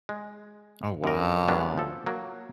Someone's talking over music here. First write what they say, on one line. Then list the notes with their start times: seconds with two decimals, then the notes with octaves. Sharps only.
Oh wow.
0.09 G#3
1.04 F#2 A#4
1.48 F#3 G3 A#3 B3 C#4 D4
1.78 F3 A4
2.06 F#3 A#3